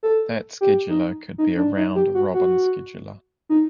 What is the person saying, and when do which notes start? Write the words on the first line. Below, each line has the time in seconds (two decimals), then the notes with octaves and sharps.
That scheduler could be a Round-robin scheduler.
0.03 A4
0.61 G4
0.90 D#4
1.38 D#4
1.57 D4
1.76 D#4
1.95 G4
2.15 F#4
2.34 F#4
3.49 D#4